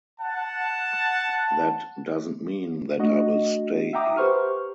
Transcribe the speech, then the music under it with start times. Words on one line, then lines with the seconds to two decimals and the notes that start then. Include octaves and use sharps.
That doesn't mean that I will stay here.
0.19 F#5 A5
2.98 A3 D4 F#4 D#5
3.93 E5 F#5 G5 A#5 D6 D#6
4.17 G4 B4 C5 C#6 F6